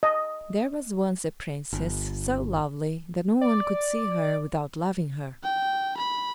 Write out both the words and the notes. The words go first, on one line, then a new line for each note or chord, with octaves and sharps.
There was once a Princess so lovely that no one could see her without loving her.
D#5
G1
D5
G5
B5